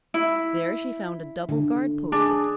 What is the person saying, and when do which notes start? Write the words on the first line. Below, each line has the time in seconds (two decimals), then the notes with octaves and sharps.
There she found a double guard posted.
0.14 E4
1.49 D3
2.12 D4 G#4